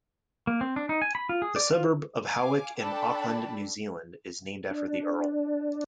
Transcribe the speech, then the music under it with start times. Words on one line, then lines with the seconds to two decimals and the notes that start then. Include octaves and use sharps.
The suburb of Howick in Auckland, New Zealand, is named after the earl.
0.47 A#3
0.61 C4
0.76 D4
0.89 D#4
1.02 G#5
1.15 B5
1.29 F4
1.42 G#4
1.56 D5
1.72 F4
2.25 F5 G#5 D6
2.81 D4 A4 D5 G5 A5 B5
4.71 D4